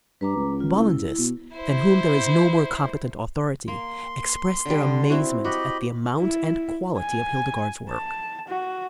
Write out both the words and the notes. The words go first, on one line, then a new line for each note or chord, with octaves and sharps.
The Bollandists, than whom there is no more competent authority, express their amazement at the amount and quality of Hildegard's work.
G2 B4 A#5 D6
C#2
F4
E4
B2
E4 C5
A#3 C6
D3 G3
C4 E4 F#4
F#4 G4 D#5 B5
E4
G#5
A5
F#4